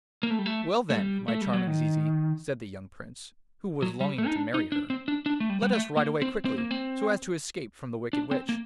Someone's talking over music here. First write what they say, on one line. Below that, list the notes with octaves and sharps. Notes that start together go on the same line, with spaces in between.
'Well, then, my charming Zizi,' said the young Prince, who was longing to marry her, 'let us ride away quickly so as to escape from the wicked witch.'
A#3
A3
G3
A3
A3
G3
A3
G3
F#3
D#3
F#3
G3
A3
D#4
D4
D#4
D4
C4
D4
D4
A3
G3
G3
A3
A#3
C4
C4
A#3
C4
D4
C4
A#3